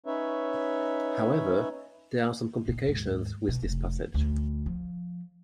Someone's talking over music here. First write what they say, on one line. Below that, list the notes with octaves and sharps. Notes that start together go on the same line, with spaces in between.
However, there are some complications with this passage.
C#4 D#4 B4 C#5 E5
A#2
D#2 G#2
B2
F1
D2
F3